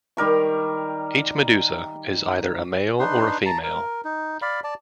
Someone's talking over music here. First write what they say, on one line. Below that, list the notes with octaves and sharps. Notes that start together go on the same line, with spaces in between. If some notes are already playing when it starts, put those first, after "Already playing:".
Each medusa is either a male or a female.
D#3 G3 A#4 C#6
D4 D#4 B4 C6
A5 A#5
A#4
D#4
D5 F5 B5
D5 A5